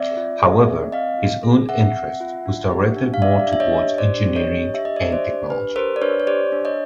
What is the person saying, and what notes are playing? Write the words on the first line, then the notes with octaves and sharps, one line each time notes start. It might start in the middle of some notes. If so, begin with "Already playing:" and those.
However, his own interest was directed more towards engineering and technology.
Already playing: C4 D5 E5
F4
G#4
C4
C4 D#5 F5
F4
G#4
C4 E5 F#5
C4
F4
D4
G4
D4
F5
G4 D5 E5
D4
E5
C#5 D#5
G4
D4 C5 D5
G4
C#5 D#5
D4
G4 E5
D#5
D4 D5 E5
C5 D5
G4
D4 B4
G4 A#4 C5
D5
D4 B4 C#5
C#5
G4 C5 D5
D4
C#5 D#5